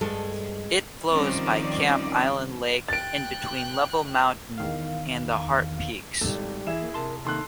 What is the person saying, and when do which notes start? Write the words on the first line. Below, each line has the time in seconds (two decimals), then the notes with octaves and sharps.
It flows by Camp Island Lake and between Level Mountain and the Heart Peaks.
0.01 G2 G#3 A4
1.11 D#3 F3 G3 C4 C#4 D5
2.88 G5 F#6 A6 D7
4.58 E2 D#3 F5
6.21 G#1 G3 A4
6.67 E3 E4 G#4 E7
6.80 A#3
6.94 C3 A#4 A5 C6
7.25 C3 D#3 A#3 D#4 A4 C6 F#6